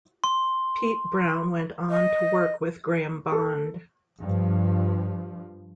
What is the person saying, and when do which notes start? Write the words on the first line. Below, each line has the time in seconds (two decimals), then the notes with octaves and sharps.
Pete Brown went on to work with Graham Bond.
0.24 C6
1.91 D#5
3.32 A4
4.20 G2 F3